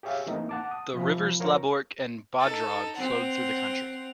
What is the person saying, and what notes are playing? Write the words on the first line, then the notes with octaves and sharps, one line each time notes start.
The rivers Laborc and Bodrog flowed through the county.
G4 G#4 C#5 E5 F5
E3 A3 A#3 C4 D#4
F#5 A5 D6
D#6
C3 F3 B5
F3 A#4 C#5
D#4 A4
C4 F#5 F7